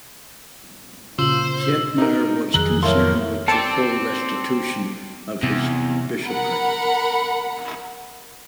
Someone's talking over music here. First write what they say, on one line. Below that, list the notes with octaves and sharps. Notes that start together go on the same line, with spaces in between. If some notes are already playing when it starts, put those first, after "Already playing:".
Thietmar was concerned with the full restitution of his bishopric.
A#2 C#3 F4 C5 E6 F#7
D#4 A#4
F2 D#3 F#3 G#4 A#5 E6 F#6
A2 A4 A#4 C#5 E5 F5 C6
C4 A4 D5 A5
E2 C3
A#4 F#5 B5